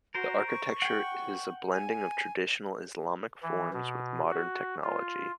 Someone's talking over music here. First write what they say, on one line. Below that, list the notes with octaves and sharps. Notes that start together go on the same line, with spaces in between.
The architecture is a blending of traditional Islamic forms with modern technology.
F#4 A#4 C5
C#6
F#5 G5
G#5
E3
B2
F#4
F4